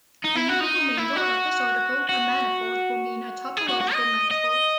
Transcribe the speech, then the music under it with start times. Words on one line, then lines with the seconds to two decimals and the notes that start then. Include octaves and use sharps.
In the remainder of this article a "manifold" will mean a topological manifold.
0.25 D#4
0.36 E4
0.49 F#4
0.61 D#4
0.98 E4
1.17 F#4
2.09 F#4
3.57 G#4
3.68 F#4
3.81 F#4
3.93 D#5
4.31 D#5